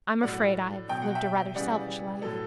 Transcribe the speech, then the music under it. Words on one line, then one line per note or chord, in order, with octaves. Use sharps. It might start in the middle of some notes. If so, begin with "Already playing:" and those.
I'm afraid I've lived a rather selfish life.
A2 F#3 D5 F#5
B2 F#3 G5
F#5
E5 G5
C#3 E3 G3 D5 F#5
A2 F#3 A4